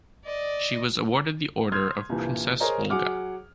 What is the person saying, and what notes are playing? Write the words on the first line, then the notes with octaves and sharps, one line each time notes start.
She was awarded the Order of Princess Olga.
D5 D#5
C6 D#6 F6 G6 G#6
C2 G2 A#2 E3
G#4 A#4 C5 C#5 D#5 A#5
F#3 G#4 F#5 D6 F6